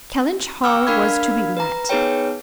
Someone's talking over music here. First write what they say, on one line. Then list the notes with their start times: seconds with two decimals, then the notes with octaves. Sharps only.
Kellynch Hall was to be let.
0.64 G5 C#6 D6 E6 F6
0.87 D4 A#4 F5 B5 F6 G#6
1.57 B4 A#5
1.89 B3 D#4 G#4 B4 C#5 G5